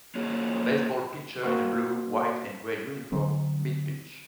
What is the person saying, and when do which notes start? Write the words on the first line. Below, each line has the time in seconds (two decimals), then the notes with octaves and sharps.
A baseball pitcher in a blue, white and gray uniform midpitch.
0.15 A#3 F4 G#4 C#5
1.43 A#3 C4 F#4 C6
3.12 D3 F#3 C4